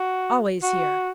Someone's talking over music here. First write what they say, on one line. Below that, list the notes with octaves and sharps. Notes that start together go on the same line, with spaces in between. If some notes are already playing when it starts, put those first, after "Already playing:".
"Always here!"
Already playing: F#4
F#4